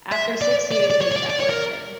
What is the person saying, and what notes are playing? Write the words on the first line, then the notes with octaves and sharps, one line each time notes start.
After six years, they separated.
E5
D5
D5
D5
C#5
C#5
D5
D5
C#5
A#4